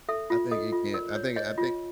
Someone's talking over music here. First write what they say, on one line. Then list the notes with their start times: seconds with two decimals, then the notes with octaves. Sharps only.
I think it can I think I think,
0.09 A4 E5
0.30 F4
0.51 A4 D#5
0.72 F4
0.94 A#4 D5
1.15 C#5
1.36 C#5 D#5
1.58 F4